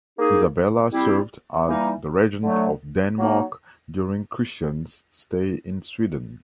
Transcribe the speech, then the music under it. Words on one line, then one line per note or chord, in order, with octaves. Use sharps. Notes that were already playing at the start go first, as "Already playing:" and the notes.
Isabella served as the regent of Denmark during Christian's stay in Sweden.
A#3 D#4 G#4
G3 C4 E4 G4
E3 G3 A#3 D#4
D3 F#3 A3
F#3 A#3 D#4